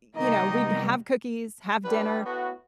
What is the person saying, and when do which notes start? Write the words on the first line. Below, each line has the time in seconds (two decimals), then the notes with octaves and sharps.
y you know, we'd have cookies, have dinner,
0.16 C3 D#3 G3 A#3 B3 D#4 D#5
1.84 B1 D3 G3 B4
2.25 A2 B3 F#4